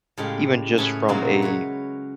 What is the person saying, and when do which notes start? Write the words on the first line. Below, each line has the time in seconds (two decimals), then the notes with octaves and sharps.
even just from a
0.17 A2 C#3 G#3 G4 F5
0.78 A2 C#4 E4 G#4 B4 C#5
1.08 A#2 C#3 F#3 G#3 A#3 F#4
1.42 B4 C#5